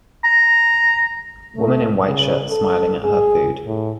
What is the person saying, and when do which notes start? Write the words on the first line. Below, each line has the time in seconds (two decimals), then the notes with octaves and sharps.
Woman in white shirt smiling at her food.
0.24 A#5
1.56 A3
2.06 C#3
2.49 A4
3.04 G#4
3.66 A2